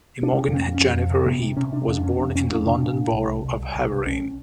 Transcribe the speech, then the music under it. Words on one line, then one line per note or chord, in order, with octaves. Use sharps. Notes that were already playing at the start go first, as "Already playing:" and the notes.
Imogen Jennifer Heap was born in the London Borough of Havering.
D4
C3 C#4
F2
C#4
F2
C#4
F2
F2
C3
C3 B3
C3
C3 C#4
C3 D4
F2 C#4
D4
C3 C#4
F2 D4
F2 C#4
F2 D4
C3 D4
A#2
A#2
C2
C2
C2
C2
C2
C2
C2 C#4